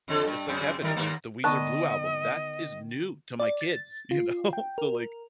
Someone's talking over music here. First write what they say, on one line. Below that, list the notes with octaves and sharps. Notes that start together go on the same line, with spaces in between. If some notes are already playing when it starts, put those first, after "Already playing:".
Just Like Heaven or the Weezer Blue Album, that is new to my kids, you know? So like,
F2 D3 A4
G2
F#2 C#3 C4
D#3 G3 A#4
D#2 A#3 B3
D3 D#3 B3 D#5 A5 C#6
D5
A6
F4
G5
A#4